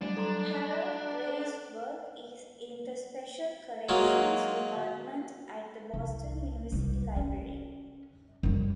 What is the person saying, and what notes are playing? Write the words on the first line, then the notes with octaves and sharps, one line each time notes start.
Harold Gray's work is in the Special Collections Department at the Boston University Library.
F#3 G3 A3 D4
A4 A#5 C6
F#3 G#3 A#3 F4
C2
C2 G3
C#4
F#2 G3